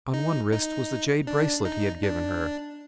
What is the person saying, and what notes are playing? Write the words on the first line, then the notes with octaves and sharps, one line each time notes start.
On one wrist was the jade bracelet he had given her.
D#4
D#4
D4
D#4
D4